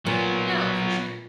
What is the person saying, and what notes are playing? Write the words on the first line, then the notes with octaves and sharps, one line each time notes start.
No, for sure.
A#2 F#3 B3